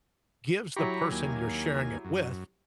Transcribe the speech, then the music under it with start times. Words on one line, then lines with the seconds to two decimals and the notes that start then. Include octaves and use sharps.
gives the person you're sharing it with
0.76 F#3 E4 G4 A#5 B5 C#6
1.12 D#2 A#3 G#5
2.05 F#2